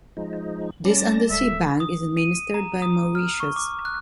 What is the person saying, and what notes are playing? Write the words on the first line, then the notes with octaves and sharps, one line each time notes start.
This undersea bank is administered by Mauritius.
F3 G#3 D#4
G3 C#4 D5 A5 A#6
D1 G#3 A4 E5
D#6
D#7
A#5
D#6
F6
C#6
D6
F#6